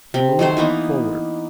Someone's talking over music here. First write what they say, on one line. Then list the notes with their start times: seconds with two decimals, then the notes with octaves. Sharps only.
He moved forward.
0.14 C3
0.39 D#3 F#3 A3 C5
0.57 E3 A#3 B3 D#4